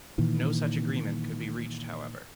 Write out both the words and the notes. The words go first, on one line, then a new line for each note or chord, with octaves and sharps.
No such agreement could be reached however.
A#2 D#3 E3